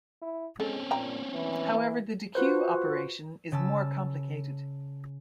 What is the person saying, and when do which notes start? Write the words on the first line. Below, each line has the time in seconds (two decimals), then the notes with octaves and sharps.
However the dequeue operation is more complicated.
0.22 E4
0.60 G#3 C4 C#4 A4
0.91 A#2 G5 A#5
1.34 E3
2.35 F4 F#4 B4 C5
3.52 C#3 A5 E6